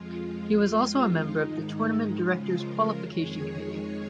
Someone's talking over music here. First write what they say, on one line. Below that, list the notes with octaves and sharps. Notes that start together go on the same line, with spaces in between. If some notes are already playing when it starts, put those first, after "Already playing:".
He was also a member of the Tournament Directors Qualification Committee.
Already playing: F2 F3 G#3 F4
F4
F2 F3 G#3
D#4
G#2 D#3 G#3 D#4
C#3 F3 G#3 F4
F4 A#4
F2 D#3 G#3 G#4 C#5